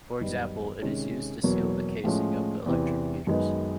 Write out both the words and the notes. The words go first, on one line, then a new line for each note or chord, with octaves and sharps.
For example, it is used to seal the casing of electric meters.
F#2 D#3 G3 B3 D#4
C3 D#3 G#3 C#4
E2 B2 F#3 A#3
A2 F3 G#3 C#4
E2 C3 E3
F#2 D#3 G#3 B3 D#4